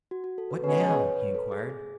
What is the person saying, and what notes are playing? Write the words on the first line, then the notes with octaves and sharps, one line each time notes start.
"What now?" he inquired.
F#4
F#4
A4
B4
B2 G#3 C#4 G#4 B4
B4
C#5
B4
A4
G#4
G#4